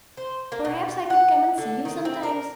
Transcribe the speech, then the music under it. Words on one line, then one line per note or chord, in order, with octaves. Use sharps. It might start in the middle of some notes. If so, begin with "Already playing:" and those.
Perhaps I could come and see you sometimes.'
C5
A#3
B2
F#5
D3
D#3
C4
A#4